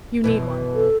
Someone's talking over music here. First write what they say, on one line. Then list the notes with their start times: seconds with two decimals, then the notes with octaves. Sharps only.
"You need one."
0.24 F#2 B2 E3
0.75 A4